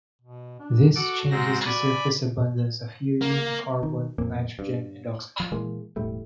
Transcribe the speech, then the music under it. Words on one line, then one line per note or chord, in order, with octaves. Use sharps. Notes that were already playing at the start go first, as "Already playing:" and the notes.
This changes the surface abundance of helium, carbon, nitrogen, and oxygen.
B2
D4
F#4 A4 F#5 D6
G#2 C4 A#6
D5 G#5 B5
A#3
D#3
F2 A#2 A#3
G2
F3
A#2 E3 G#3 A#3
E1 A2 G3 A3